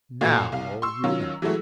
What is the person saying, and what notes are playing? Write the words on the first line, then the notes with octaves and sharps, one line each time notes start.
Now you know.'
A1 A#2 F#4 A4 F5
C2 F5
C6 C#6 E6
D#3 F#3 C#4 F4
E3 F#3 G#3 A3 E4 F#4